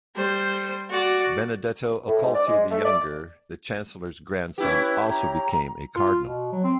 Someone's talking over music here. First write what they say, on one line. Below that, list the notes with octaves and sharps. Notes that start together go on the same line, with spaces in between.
Benedetto Accolti the Younger, the chancellor's grandson, also became a cardinal.
G3 C5
F#4 D5
A2
G#2
D5
G#3
A3
D5
C#4 E4 G4 B4
A#5
F4
B2
F#3
C4